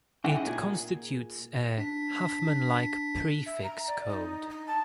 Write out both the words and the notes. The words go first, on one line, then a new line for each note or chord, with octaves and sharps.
It constitutes a Huffman-like prefix code.
C#4 D#4 E4 G#4 F#5 G5
A#2 G#4
D4 B6
E5
A#5
D5
D#4
D#4
A5